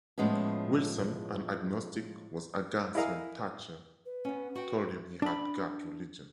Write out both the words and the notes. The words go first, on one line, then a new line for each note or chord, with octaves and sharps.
Wilson, an agnostic, was "aghast" when Thacher told him he had "got religion".
A2 F3 G#3 B3 C#4
E4 G#4 A#4 D#5 F5 A#5
B4
B3 C#4
F#4 G5
D4 B5